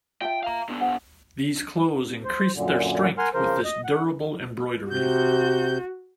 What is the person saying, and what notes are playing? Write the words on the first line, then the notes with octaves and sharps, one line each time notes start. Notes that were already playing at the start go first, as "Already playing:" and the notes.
These clothes increased their strength with this durable embroidery.
F4 E5 G5 A5
F5 A#5
D3 B3
C5 F#5 G#5
C5
F#2 A#2 D3
A#4 F#5 G#5 C6 F6
C#3 F3 A#4 C5
D#5
F#5
C3 F#4 G6